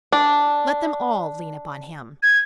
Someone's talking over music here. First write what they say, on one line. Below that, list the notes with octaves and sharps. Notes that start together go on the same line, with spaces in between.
Let them all lean upon him.
D4
G#6